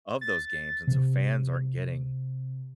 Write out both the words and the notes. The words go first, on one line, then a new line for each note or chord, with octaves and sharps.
of those games, and so fans aren't getting
A6
C3